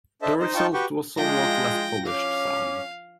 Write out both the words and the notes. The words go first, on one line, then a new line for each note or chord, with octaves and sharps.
The result was a somewhat less polished sound.
D4 A4 C5 D#5 E5 A5
D#4 C5 D#5
D#4 F4 G5 A5 C#6
F#4 G4 B4 G5 C#6
F3 G#3 D4 E4 F4 G5 A#6
C#4 F5 G5 D6